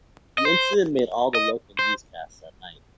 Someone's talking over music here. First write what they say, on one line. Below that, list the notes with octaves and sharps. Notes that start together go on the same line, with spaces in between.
The incident made all the local newscasts that night.
D#5
C5
D#5
C5